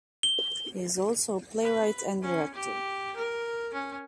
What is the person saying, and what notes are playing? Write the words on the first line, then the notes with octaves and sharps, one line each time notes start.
He is also a playwright and director.
G7
B4
C#4
G4
A#4
C#4